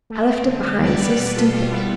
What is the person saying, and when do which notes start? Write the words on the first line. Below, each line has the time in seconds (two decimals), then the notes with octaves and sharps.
I left it behind; so stupid!'
0.10 A3
0.29 C4
0.46 D3
0.64 D3
0.81 G3 B4 D5
1.01 B3
1.18 B2
1.31 B4
1.35 B2 F4 A4
1.53 G3 F4
1.71 B3 E4